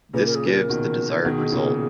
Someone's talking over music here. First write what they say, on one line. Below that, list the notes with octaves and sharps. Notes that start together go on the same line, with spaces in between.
This gives the desired result.
A#2 C#3 B4
A#4
G#4
B4
A#4
B2 D#3
B2 D#3 G#4 A#4
A#2 C#3